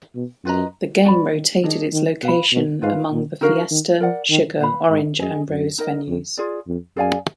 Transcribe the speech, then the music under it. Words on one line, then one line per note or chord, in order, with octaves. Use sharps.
The game rotated its location among the Fiesta, Sugar, Orange, and Rose venues.
B2
F#2 F4 B4 D#5 A#5
F2 F#4 D5 G#5 B5
D#3
D#3 D4 G#4 D#5
D#3
B2 B4 F5 B5
B2
G#2 F4 B4 F5
A#2
D3 D#4 F#4 A#4 F5
D#3
F3 A#4 D5 F#5
D#3
A#2 B4 F5 B5
G#2
F#2 G#4 D#5 G#5
F#2
D#4 A#4 D#5
F2
F4 G#4 D5
F2
F#2 G#4 D5 F5 G#5